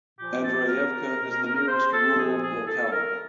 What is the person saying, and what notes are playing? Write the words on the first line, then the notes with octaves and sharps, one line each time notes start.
Andreyevka is the nearest rural locality.
A#2 F3 G4
A4
A#4
B2
C5
A4
A#2 F3 G#4
G#4
A4
A4
A#4